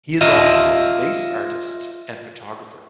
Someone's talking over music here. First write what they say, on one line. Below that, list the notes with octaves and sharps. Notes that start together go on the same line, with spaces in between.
He is also a space artist and photographer.
F4 D#5 E5